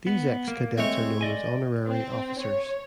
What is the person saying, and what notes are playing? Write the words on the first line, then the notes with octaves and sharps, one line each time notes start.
These ex-cadets are known as "Honorary Officers".
B3
A#3
G#3 A3 C4 C#5
D5 D#5 G#5
C4
C#5